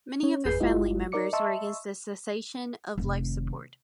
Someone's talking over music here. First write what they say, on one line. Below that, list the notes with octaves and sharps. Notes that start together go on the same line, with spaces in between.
Many of her family members were against the cessation of life support.
C#4 C#5
G#1 F2 G#4 B4 G6 C7
G1 G#3 E4 F4 G4 D#5
D#4 A#4 D5 D6 C#7
D#5 E5 A5 C6 C#6 E6
F1 D#3